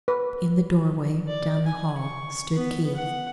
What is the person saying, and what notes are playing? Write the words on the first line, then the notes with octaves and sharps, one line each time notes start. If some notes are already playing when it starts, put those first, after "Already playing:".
In the doorway down the hall stood Keith.
B4
D5
G#5
C#6
B3 B4
F#5